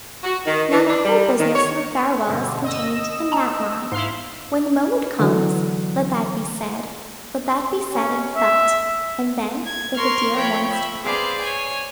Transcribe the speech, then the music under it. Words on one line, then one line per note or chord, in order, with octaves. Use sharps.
Now the whole business of a farewell is contained in that line. When the moment comes, let that be said; let that be said and felt, and then let the dear ones depart.
F#4
D#3
E3
D4
G3
D#3
C#5
G2 B2 D3
D#5 E6
A5 A#5
G#2 E4 F5 C6
D3 E3 F#3
C#4
E5
G#6
A#4 C6 C#6 F6
F3 C#5 G5 B5
E5 B5
G#4 B4 C5 D5 F5
C#5 G#5